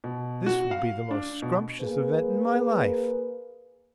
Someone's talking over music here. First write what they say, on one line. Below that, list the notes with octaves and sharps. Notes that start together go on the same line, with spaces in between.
This will be the most scrumptious event in my life.
B2
F#4
F5
D4
B2
A#3 G#4 B4